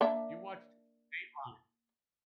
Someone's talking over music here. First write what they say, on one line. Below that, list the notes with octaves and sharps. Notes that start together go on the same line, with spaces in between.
you watched Dateline.
A#3 D4 E5